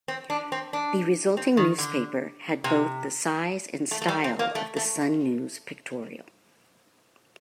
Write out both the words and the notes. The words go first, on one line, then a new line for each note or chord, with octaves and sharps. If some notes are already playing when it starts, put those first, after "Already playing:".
The resulting newspaper had both the size and style of "The Sun News-Pictorial".
C4
D4
C4
D4
C4
D#3
D3
C3
A3
A3
G3
C4
A#3
A3
A3